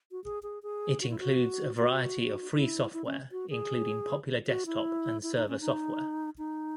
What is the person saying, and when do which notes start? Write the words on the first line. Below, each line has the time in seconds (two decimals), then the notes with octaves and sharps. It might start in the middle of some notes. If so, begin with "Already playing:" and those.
It includes a variety of free software, including popular desktop and server software.
0.11 F#4
0.24 G#4
0.43 G#4
0.63 G#4
1.01 F#4
1.10 E4
1.19 F#4
1.78 F#4
2.54 E4
2.93 E4
3.06 C#4
3.32 F#4
3.50 G#4
4.47 F#4
4.66 E4
5.23 E4
5.36 D#4
5.48 C#4
5.61 D#4
6.38 D#4